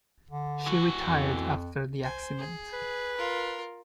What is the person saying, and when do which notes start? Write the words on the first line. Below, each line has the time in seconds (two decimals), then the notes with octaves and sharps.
She retired after the accident.
0.31 D3
0.66 E3 F#4
1.02 F2
2.03 C5 G#5
2.38 G#4
2.73 B4
3.17 F4 A#4